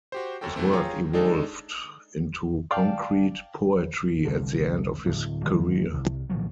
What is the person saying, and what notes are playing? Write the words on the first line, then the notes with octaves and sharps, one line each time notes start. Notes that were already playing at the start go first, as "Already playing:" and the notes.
His work evolved into concrete poetry at the end of his career.
F#4 G4 C5
F#2 C#4 F#4 A4 G5
C3 E3 A3 C4
F4 G#4 C#5 G5 A#5
G#3 D4 D#4 A4
D5 F5 G5 A5
C2 D3
D1
G1 D#3 F#3 G#3
C2
A#2 D#3 F3 F#3